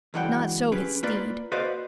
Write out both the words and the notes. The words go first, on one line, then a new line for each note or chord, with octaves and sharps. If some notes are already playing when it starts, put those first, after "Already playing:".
Not so his steed.
C#2 G2 E3 F#3 F#5 G5
C#4 G4 G#4 B4
A#3 F4 B4 D5
F#4 B4 C5 D5 D#5 F5